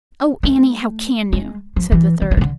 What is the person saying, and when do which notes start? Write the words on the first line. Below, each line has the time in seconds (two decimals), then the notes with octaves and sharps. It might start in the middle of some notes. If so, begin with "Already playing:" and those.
"Oh, Anny, how can you!" said the third.
0.43 A3
1.33 G#3
1.76 F3
1.92 E3
2.22 D#3
2.31 E3
2.37 D#3
2.41 D3